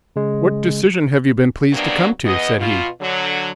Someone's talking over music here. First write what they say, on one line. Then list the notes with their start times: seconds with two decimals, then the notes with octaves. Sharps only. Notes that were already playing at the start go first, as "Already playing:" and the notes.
"What decision have you been pleased to come to?" said he.
0.16 C#3 G#3
1.73 C3 F#3 G3 A#3 B3 D4
2.25 E2 B3 D#5
2.58 B2 F4
3.01 D3 F#3